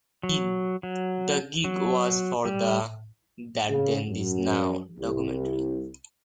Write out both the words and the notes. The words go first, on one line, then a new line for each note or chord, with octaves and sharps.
The gig was for the "That Then This Now" documentary.
F#3
F#3
F#3
G3
C#3
F#2
C2